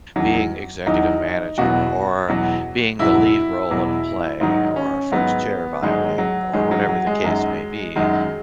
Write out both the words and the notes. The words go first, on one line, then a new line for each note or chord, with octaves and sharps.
being executive manager or being the lead role in a play or first chair violin or whatever the case may be.
E2 D#3 F#3
E2 D#3 F#3 D#4
E2 B2 F#3 F#4
E2 B2 F#3
E2 B2 F#3 E4
E2 B2 F#3
G#2 D#3 F#3 D#4
C#4
G#2 D#3 F#3 B3
G#2 D#3 F#3 G#3
F#3
G#2 D#3 F#3 G#3
F#3
F#3
G#3
F#2 D#3 F#3
F#2 D#3 F#3 G#3